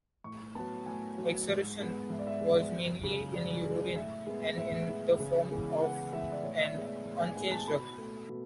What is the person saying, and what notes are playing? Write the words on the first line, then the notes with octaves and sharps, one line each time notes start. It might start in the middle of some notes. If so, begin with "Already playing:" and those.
Excretion was mainly in urine and in the form of an unchanged drug.
A2 C#6
F#3 B3 A5
A2 G#5
F#3 B3
G#2
G#3 B3
G#2 E5
D5
E5
G#3 B3
F#2
C#3 G#3
F#2 D5
C#3 G#3
A2 E5
G#3 B3
A2 E5
G#3 B3
C#3
E3 G#3 B3
C#3 F#5
E3 G#3 B3 E5
D5
A2 C#5
E5
D5
G#3 B3
E5
A2
G#5
G#3 B3 G#5
A5
B2 B5
A3
B2